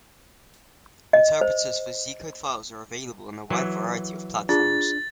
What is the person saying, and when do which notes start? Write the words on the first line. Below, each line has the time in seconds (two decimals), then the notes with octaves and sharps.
Interpreters for Z-code files are available on a wide variety of platforms.
1.13 D#5
1.41 C5
3.50 E3 F#3
4.49 D4 F4 G#4 A6